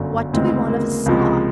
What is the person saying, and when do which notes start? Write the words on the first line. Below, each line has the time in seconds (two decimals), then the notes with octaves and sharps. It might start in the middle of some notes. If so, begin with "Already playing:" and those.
"What do we want of a saw?"
Already playing: G1 F#2 D3
0.33 D2 C#3 E3 G#3 C4
0.69 A#3
1.06 C#2 C3 F3 G#3